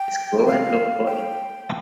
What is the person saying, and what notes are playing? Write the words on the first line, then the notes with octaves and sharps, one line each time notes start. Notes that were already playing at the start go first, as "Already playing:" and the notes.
Let's go and look for him!
Already playing: G5
F5
G5